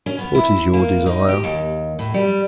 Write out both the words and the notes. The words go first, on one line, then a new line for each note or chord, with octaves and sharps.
"What is your desire?"
C#4
B3
E4
A#3
D#4
G4
D#2
A2
G3